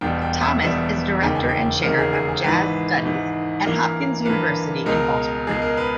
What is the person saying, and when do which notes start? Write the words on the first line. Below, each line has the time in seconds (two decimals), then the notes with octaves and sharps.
Thomas is Director and Chair of Jazz Studies at Johns Hopkins University in Baltimore.
0.01 E1 E2 B2 G3 G5
0.22 G5
0.41 E5
0.62 E1 E2 B2 G3 E5
1.22 E1 D#2 C#3 G#3 G5
1.35 G#5
1.49 G5
1.83 E1 D#2 C#3 G#3 A#4
1.98 G#4
2.13 G#4
2.29 G#4
2.44 G#1 G#2 E3 B4
3.05 G#1 G#2 E3
3.65 G2 E3 A#3 A#4
4.25 G2 E3 A#3 B4
4.86 C#2 B2 G#3 A#4
5.47 C#2 B2 G#3 G#4
5.62 A#4
5.77 B4